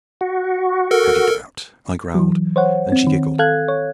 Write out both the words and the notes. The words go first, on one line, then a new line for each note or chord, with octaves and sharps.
"Cut it out," I growled, and she giggled.
F#4
A4 A#4
E3 F#3
C5 C#5 F#5
C4
D#3
A4 F5 F#6 G#6
C#5